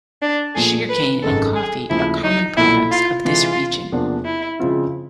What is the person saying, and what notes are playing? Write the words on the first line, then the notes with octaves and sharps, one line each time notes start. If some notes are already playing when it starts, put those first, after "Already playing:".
Sugar cane and coffee are common products of this region.
D4
A#2 F3 A3 G#4
B4
G#1 F#2 D#3 G#3 C4 A4
G#4
D#2 C#3 F3 A3 E4
D#4
B1 A#2 F3 A3 E4
F4
C3 E3 G#3 F4
E2 C3 F3 A#3 D4
E4
C#3 F3 G#3 C4 F4